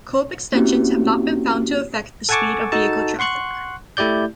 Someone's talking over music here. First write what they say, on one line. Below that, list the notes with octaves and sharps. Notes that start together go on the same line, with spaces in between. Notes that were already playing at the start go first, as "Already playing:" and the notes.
Curb extensions have not been found to affect the speed of vehicle traffic.
A#3 C4 C#4 E4 F#4 G4
A4 F#5 G#5 A5 C#6 D6
D#4 F#4 A4 A5
F#5 C6 C#6 F#6
A3 E4 G4 D5 G6